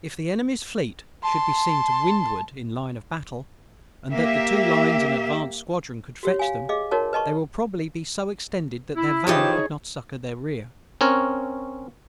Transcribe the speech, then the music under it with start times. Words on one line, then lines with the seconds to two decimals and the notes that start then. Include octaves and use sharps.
If the Enemy's Fleet should be seen to windward in line of battle, and that the two lines and advanced squadron could fetch them, they will probably be so extended that their van could not succour their rear.
1.23 A5 C6
4.11 A#3 G4 E5
6.23 F#4 G4 C#5
6.39 F5 G#5
6.69 G#4 D#5 F5 D6
6.91 D#4 F#4 A#4 C#5 A5
7.13 B4 D#5 A5 C#6
8.96 E4
9.27 E3 F3 D#4 G4 G#4 C#5 A5
11.01 C4 C#4 A#4 C#5